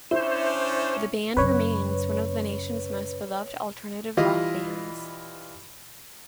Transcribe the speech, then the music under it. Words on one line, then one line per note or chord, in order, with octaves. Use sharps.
The band remains one of the nation's most beloved alternative-rock bands.
C#4 D4 E4 C5
F#2 C#3 B4 C#5
E3 G3 F4 D#5